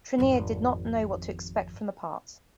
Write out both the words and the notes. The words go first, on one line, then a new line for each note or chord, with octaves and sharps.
Trinneer did not know what to expect from the part.
G#1 F2